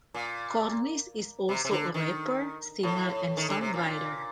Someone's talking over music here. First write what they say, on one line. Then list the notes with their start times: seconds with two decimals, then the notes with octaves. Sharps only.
Cornish is also a rapper, singer and songwriter.
0.14 A#2
1.49 C3
1.65 C3
1.71 D3
1.94 D#3
2.83 A2
3.37 D#3
3.49 D3
3.61 C3
3.74 A#2